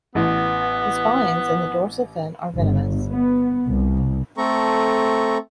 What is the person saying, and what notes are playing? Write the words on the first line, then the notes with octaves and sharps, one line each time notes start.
The spines in the dorsal fin are venomous.
A1 B3
G1
B3
C2
A3 C4 A4 A#5 C#6